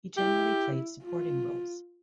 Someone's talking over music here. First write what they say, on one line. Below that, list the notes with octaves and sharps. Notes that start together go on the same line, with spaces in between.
He generally played supporting roles.
E4 G4
F4